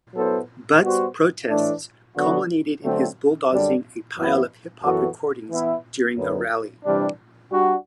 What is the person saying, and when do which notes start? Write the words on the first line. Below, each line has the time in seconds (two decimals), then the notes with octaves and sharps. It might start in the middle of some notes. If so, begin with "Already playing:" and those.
Butts' protests culminated in his bulldozing a pile of hip-hop recordings during a rally.
0.15 F#3 B3 E4 A4 C5
0.82 G3 B3 F#4 C5
1.49 A2 E3 A3 D4
2.16 D3 F#3 B3 D4 F#4
2.83 D3 F#3 A3 C4
3.50 F#2 D3 G3 D4
4.17 F#2 E3 B3 E4
4.83 F#2 E3 B3 F#4 A4
5.50 E3 B3 E4
6.17 F#2 D3 F#3 B3
6.84 C3 E3 G3 D4
7.51 G3 D4 F#4